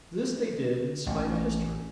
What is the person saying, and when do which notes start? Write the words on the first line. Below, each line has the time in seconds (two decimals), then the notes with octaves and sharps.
This they did in spite of history.
1.06 A1